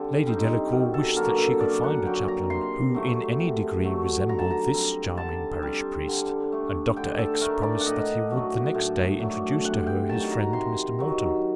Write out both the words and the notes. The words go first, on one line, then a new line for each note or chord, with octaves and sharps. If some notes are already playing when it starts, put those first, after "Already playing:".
Lady Delacour wished that she could find a chaplain, who in any degree resembled this charming parish priest, and Dr. X----promised that he would the next day introduce to her his friend Mr. Moreton.
Already playing: D3 G3 C4
G3 C4 D#4
F#2
A4
D3 F#3 A#3 A#4
A4
F#2 D5
F#5
D3 F#3 A#3 G5
A#5
C3 C6
F#3 A3
C3
F#3 A3
D3 A#5
A5
A#5
G3 C4
D3 A5
G3 C4
D3
A3 D4
D3 G5
A4
A3 D4 A#4
D5
F#5
A2 D#5
F#3 A3 D4
A2
F#3 A3 D4
C3 F#5
G5
D#3 F#3 A5
A#5
C3 C6
D#3 F#3